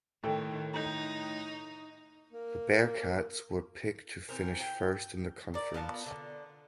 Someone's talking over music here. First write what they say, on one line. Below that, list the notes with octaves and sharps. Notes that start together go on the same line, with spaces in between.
The Bearkats were picked to finish first in the conference.
A2 D#3 A4 G5
D#4 A#5 G6
A#3
E3 C4 A#4
G5
A#4 D5
B3 F4 A#4 A5
D3